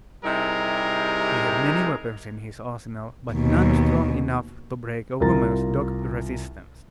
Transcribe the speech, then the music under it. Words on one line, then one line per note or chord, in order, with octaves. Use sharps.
He had many weapons in his arsenal; but none strong enough to break a woman's dogged resistance.
C3 G3 D#4 E4 G#4 A#4
D#2 B2
C2 F4 A#4 A#5 A6